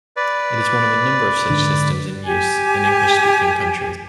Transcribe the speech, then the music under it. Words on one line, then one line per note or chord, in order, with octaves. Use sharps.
It is one of a number of such systems in use in English-speaking countries.
B4 D5
G#2 D3
G4 G#5